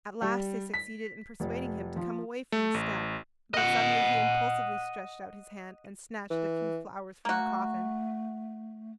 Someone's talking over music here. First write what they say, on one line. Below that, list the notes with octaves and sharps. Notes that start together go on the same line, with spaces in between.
At last they succeeded in persuading him to come away from the step, but suddenly he impulsively stretched out his hand and snatched a few flowers from the coffin.
G3
B6
F1
F3
A3
A1
D#5 F#5
E3
A3 A#3 F#4